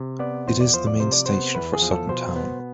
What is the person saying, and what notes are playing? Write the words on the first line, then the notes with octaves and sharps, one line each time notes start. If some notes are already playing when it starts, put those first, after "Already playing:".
It is the main station for Sutton town.
Already playing: C3
B3 D5
E2 C5
D5
F3 C5
D5
C3 C5
D5
B3 C5
E2 B4
G#4
F3
A4
B2 C5
B3